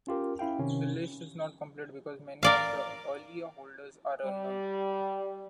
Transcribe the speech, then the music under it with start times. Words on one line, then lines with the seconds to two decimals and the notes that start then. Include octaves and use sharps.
The list is not complete, because many of the earlier holders are unknown.
0.07 C#4 F4 G4 A#4
0.39 C#4 E4 F5 G5
0.59 C3 D#3 C#4
2.43 A#4 D5 F5
4.25 G3